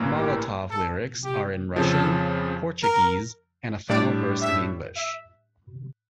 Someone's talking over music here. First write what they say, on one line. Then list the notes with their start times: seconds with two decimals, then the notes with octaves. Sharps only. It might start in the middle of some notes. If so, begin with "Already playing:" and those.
"Molotov" lyrics are in Russian, Portuguese, and a final verse in English.
Already playing: A1 G2 E3 A#3
0.17 G4
0.70 A4
1.24 G4
1.76 F2 C#3 F3 A4
2.82 A#4
3.89 A2 G3 D4 G4 D5
4.42 E5
4.95 E5